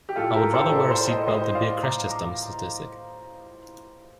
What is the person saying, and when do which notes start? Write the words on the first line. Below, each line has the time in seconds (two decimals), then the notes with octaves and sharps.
I would rather wear a seatbelt than be a crash test dummy statistic.
0.09 G4
0.16 A2 F4 A4
0.35 G4 A#4
0.54 A4 C5
0.71 A2 A#4 D5
0.91 A4 C5
1.08 C5 D#5
1.27 A2 C5 D#5
1.55 D5 F5
1.83 A2 A#5 D6
2.10 A#5 D6